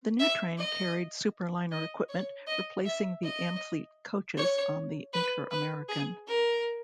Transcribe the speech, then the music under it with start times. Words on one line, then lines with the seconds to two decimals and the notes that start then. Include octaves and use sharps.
The new train carried Superliner equipment, replacing the Amfleet coaches on the "Inter-American".
0.19 E5
0.57 D#5
1.71 D#5
2.08 C#5
2.47 D#5
2.84 E5
3.23 D#5
4.37 C#5
5.13 B4
5.51 B4
5.88 G#4
6.26 A#4